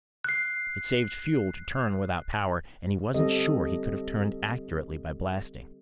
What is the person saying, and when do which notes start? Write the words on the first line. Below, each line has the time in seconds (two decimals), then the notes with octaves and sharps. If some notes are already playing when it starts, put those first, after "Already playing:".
It saved fuel to turn without power, and he wasn't sure he could have turned accurately by blasting.
0.24 F#6 C7
3.14 D3 G3 C4 G4 A4 D#5